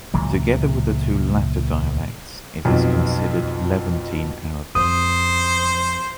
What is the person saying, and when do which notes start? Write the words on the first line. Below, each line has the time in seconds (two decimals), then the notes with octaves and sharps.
Together with the two latter dialects, it is considered Levantine Arabic.
0.14 C#2 A#2 E3 F#3
2.65 B1 F2
4.75 F2 C5 D#6